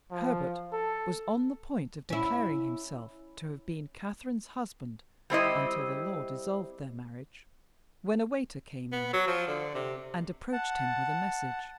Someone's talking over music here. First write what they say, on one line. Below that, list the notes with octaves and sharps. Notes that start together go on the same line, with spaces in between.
Herbert was on the point of declaring himself to have been Catherine's husband, until the law dissolved their marriage--when a waiter came in and approached him with a message.
F3
A4
C#4 E4
G3 C4 E4 D#5
B3
F#3
F3
D3
C3
F#5 A5